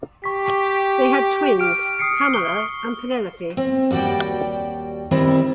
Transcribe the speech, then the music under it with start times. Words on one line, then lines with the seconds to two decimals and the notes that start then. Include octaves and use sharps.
They had twins, Pamela and Penelope.
0.24 G4 C#6 B6
1.60 F6 D7
1.99 D#6 C7 C#7
2.34 C#6 G7
3.57 C4
3.91 D#2 G3 F#4 D5 G5
5.11 D#3 G3 C4 E4 E5